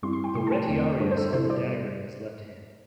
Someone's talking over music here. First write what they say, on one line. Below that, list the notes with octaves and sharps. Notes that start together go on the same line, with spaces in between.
The "retiarius" held the dagger in his left hand.
G2 G3 C4 E4 C6
C6
G5
C3 A3 E4 C6
A5
G5
E2 D3 A3 C4
G2 G3 D4 C5
C5
A4
C3 G3 E4 C5
D5